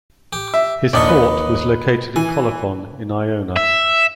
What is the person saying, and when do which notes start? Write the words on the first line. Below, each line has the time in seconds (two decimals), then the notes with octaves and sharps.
His court was located at Colophon in Ionia.
0.33 G4
0.54 E5
0.93 A#1 D#2 D#4 D5 C#6
1.09 B4
2.16 E3 G#5
3.56 E5